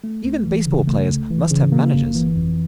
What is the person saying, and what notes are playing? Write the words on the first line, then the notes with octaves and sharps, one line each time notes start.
Even baseball players must have managers.
A3
C#2
E3
C#3
A3
C#2
E3
C#3
A#3
G1
E3
F2